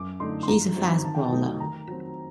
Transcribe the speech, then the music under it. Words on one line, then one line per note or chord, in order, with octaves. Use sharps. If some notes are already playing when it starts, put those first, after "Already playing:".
He is a fast bowler.
Already playing: F#2 D6
D3 A3 D#4 C6
C6
G2 A#5
F#3 C4 D#4
D#3 A5
G5
A5
F#3 A3 D#4
D#3 A#5
F#3 C4